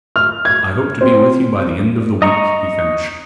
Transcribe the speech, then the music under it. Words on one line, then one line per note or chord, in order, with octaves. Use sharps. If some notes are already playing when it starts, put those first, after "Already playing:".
"I hope to be with you by the end of the week," he finished.
F6
G#6
C4
D#5 A#5 C#6